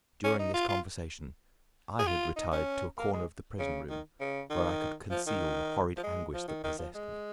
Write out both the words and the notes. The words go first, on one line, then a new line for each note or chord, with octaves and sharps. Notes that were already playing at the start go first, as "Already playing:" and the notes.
During this conversation I had retired to a corner of the prison room, where I could conceal the horrid anguish that possessed me.
C#4
D#4
F4
F4
G#4
F4
D#4
C#4
A#3
G#3
C#3
D#3
C#3
D#3
F3
D#3
F3
G#3
F3
D#3
D#3
F3
G#3